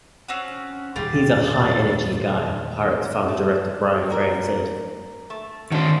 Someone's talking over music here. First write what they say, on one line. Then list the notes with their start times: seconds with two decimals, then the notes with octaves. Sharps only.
"He's a high-energy guy", Pirates farm director Brian Graham said.
0.28 C4 C#4 F#4
0.96 E2 A#2 D#3 G3 F4 G4 G#4 A6
3.28 A3
4.10 A#3 A#4
5.30 A3
5.72 D#3 C#4 D4 F#4 C5